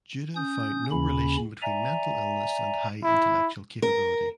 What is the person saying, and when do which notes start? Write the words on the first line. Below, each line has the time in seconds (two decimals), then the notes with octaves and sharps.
Juda found no relation between mental illness and high intellectual capability.
0.36 C#4 D#6 G6
0.91 D#2 C#3 C#4 B5
1.62 D5 E5 G#5 A#5
3.04 E4
3.82 A#4